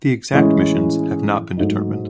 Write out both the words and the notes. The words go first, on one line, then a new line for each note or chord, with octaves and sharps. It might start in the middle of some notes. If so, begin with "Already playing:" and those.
The exact missions have not been determined.
A2 E3 G#3 C#4 E4
G#2 F#3 A3 D#4